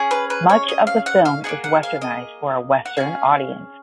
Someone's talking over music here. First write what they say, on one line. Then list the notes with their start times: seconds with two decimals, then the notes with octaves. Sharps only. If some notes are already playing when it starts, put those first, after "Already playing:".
Much of the film is Westernized for a Western audience.
Already playing: C#4 G#4
0.11 B4
0.30 B4
0.50 C#5
0.69 D#5
0.87 F5
1.06 F#5
1.25 F5
1.44 A#3 D#4 G#4 F#5
1.64 F#5
1.83 F5
2.02 D#5
2.86 F#5
2.97 C#4 G#4 F5